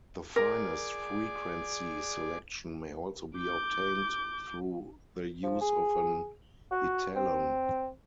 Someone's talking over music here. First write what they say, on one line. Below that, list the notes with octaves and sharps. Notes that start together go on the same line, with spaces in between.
The finest frequency selection may also be obtained through the use of an etalon.
G#4 A#4 D5 D6
D6 G6
F3
G#4
F#4
C4